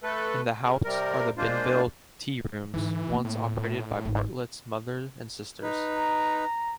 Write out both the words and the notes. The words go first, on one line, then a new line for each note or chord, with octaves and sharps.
In the house are the Benville Tearooms, once operated by Bartlett's mother and sisters.
A3 A4 B4
C#3
C3 G3 A#4
G#3 A#3 D4 F4 C5
G#2 D3 E3
A#3 C4
A2
G#1
D#4 B4
A#5